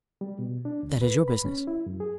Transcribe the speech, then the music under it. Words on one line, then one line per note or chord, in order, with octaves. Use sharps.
"That is your business."
G3
B2
D4
D2
B4
B5
C#4
E4
F#2
G#4